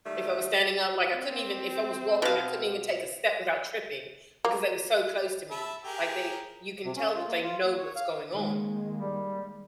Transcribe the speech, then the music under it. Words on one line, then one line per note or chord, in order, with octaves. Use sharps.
If I was standing up, like, I couldn't even if I was walking, I couldn't even take a step without tripping because they were so close to me. Like, they you can tell that they know what's going on
D#3 G3 A3
C4
B2 F5
A#3
E5 A5 B5
G4 G#4 A#4
C3
C#4
F4
A#3
F4
A#3
C#5
F5
D#3 G#3 A#3
G3